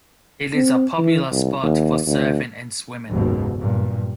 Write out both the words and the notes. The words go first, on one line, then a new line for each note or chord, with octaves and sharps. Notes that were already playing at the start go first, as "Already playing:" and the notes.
It is a popular spot for surfing and swimming.
C4
E3
C2
D#2
D2
F#1 D#2 G#2 B2
G2 A#2